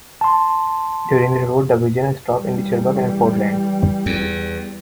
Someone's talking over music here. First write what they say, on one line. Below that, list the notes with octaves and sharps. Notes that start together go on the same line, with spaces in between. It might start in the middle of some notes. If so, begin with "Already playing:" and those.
During the tour, the Division stopped in Cherbourg and Portland.
A5 C6
E3 G3
E2